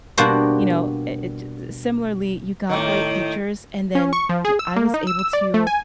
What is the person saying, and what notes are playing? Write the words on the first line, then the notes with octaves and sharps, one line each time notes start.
you know, it it Similarly, you got great pictures, and then I was able to,
B2 G3 A#3 D4 F#4 C5
A2 D#3
C#4
C#6
F3
G#4
E6
A#3
D#4
E6
E6
D5
A3
G#5